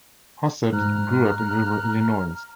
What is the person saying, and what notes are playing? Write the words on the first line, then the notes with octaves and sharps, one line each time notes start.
Hastert grew up in rural Illinois.
G#2 A#5 F6 F#6